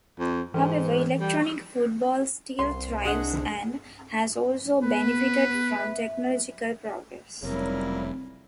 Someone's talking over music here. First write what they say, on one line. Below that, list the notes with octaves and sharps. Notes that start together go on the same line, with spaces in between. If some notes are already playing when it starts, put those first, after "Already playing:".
However, electric football still thrives and has also benefited from technological progress.
F2
G#2 E3
G3
C2 C6
D4 G#4 D#5 F#5
B3 B4
E5
F1 C#3 F#3 G3 A#3 C4 E4 A#4